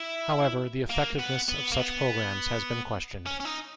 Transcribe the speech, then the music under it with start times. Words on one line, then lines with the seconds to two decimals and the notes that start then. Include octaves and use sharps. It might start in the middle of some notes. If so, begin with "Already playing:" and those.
However, the effectiveness of such programs has been questioned.
Already playing: E4
0.90 A#3
1.18 B3
1.49 B3
1.72 A#3
1.78 B3
3.26 C#4
3.40 C#4
3.45 D#4